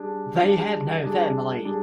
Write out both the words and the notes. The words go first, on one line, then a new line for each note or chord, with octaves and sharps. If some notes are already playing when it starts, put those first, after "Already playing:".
They had no family.
Already playing: G3 D4 G#4
G3 D4 G#4
G3 D4 G#4
G3 D4 G#4